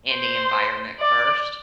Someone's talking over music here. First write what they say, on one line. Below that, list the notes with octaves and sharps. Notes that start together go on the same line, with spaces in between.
in the environment first
C5
D5